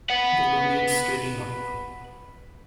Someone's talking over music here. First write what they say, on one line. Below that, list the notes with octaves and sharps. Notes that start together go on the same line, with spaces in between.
The law needs tidying up.
B4 F#5